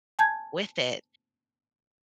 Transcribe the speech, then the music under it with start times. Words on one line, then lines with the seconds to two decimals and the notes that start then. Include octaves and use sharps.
with it.
0.19 G#5 A5 G6 G#6